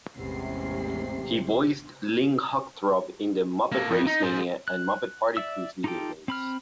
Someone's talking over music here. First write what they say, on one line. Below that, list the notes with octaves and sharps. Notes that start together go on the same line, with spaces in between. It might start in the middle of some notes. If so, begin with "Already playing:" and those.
He voiced Link Hogthrob in the "Muppet RaceMania" and "Muppet Party Cruise" video games.
A1 E2 C3 G#3 C#4 C7
A#3 A4
F2
D#4
G#4 C5
F#6
D5 E5 E6
D#4 F4 G4 A4 G5
C4 B5 F6